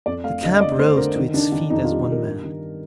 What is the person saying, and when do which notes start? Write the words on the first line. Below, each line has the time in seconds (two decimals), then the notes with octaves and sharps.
The camp rose to its feet as one man!
0.06 F2 D5
0.24 A3 F5
0.43 D3 D#5
0.56 D#5
0.61 D3 D5
0.79 A3 C5
0.97 D3 A#4
1.16 D#3
1.34 D#3 D4
1.52 D#3
1.70 F2 D#4
1.84 F4
1.88 G3
2.07 F2 A#4
2.25 G2
2.43 D#3